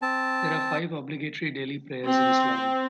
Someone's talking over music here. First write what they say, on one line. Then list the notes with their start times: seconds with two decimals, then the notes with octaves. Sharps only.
There are five obligatory daily prayers in Islam.
0.02 C4 A5
2.06 C4